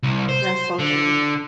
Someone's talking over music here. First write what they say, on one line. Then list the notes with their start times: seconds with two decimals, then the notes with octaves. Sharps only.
That's so true.
0.03 C2
0.29 C5
0.79 D3